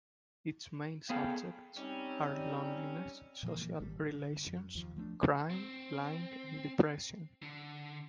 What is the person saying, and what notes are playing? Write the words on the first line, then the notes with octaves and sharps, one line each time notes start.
Its main subjects are loneliness, social relations, crime, lying and depression.
B3 G#4 A4 F5 G5
G3 C4 C#4 D#4
A#2 E3 F3 A#3
G#1 D#3 G3
D3
F#2
D#2 F3
F3 A3 B3 D4
C4
D3